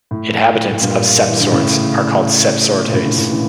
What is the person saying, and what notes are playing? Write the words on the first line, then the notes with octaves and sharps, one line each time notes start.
Inhabitants of Sept-Sorts are called "Septsortais".
A2
A2
G2 A#2
E3
D3
A2 C#3
A#2
A2 C#3
A#2 D3
A2 C#3
C#3 E3